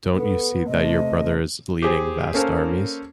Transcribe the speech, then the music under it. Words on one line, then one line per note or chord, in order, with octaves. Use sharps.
Don't you see that your brother is leading vast armies?
B3 A4
C3 A3 D#5
G4 G#4 C5
A#3 C#4 A4 A#4 C5